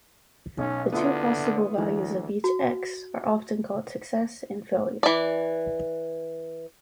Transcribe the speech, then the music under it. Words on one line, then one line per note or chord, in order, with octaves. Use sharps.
The two possible values of each "X" are often called "success" and "failure".
B1 C#4
D3 B3 E4 F4
D2 E3
F#4
E3 D5